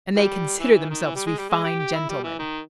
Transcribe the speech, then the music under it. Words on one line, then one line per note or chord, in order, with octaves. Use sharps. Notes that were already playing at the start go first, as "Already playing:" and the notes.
And they consider themselves to be fine gentlemen!
E3 G3
E3
E3
D#3
E3
G3
G#3
G3
G#3
G4
G4
E4
G3
E3
D#3